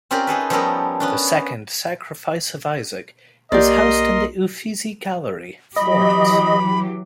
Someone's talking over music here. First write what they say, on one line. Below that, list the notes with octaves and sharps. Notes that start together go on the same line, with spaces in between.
The second "Sacrifice of Isaac" is housed in the Uffizi Gallery, Florence.
C4 C#4 F4 G4 A#4 D5
D#4 G#4 A4 B4
F3 G3 B3 C#4 A4 A#4
B3 C#4 D4
B1 A#3 G4 A#4 D5 D#5 C6
E3 F#3 G4 D#5 B5